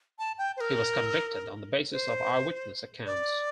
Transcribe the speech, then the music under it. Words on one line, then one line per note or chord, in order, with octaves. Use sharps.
He was convicted on the basis of eyewitness accounts.
A5
G5
C5
A#4
C5
D5